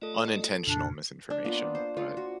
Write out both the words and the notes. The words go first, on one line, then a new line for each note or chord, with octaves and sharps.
unintentional misinformation, but
A3 F4 A4 D5 D#5
F2 A#2 C#3 D4
D4
A#3 B3 F4
C5
F4
F#4